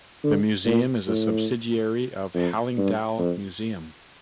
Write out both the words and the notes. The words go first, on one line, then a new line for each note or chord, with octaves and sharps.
The museum is a subsidiary of Hallingdal Museum.
D3
A#2
A2
F2
G2
F2